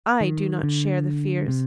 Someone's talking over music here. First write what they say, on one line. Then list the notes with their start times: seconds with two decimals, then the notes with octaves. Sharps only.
I do not share the fears.
0.21 D#3
0.63 D3
1.48 C3